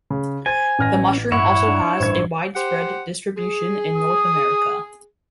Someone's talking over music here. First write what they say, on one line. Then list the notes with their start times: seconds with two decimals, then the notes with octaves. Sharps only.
The mushroom also has a widespread distribution in North America.
0.10 C#3
0.46 C5 G#5 A6
0.79 A1 C#4 F6 A#6
1.32 G2 E4 C#5 F#5
1.67 D4
2.00 A1 G2 C5 C#6 G#6
2.56 G4 C5 F#5
3.37 G#4
3.96 D#6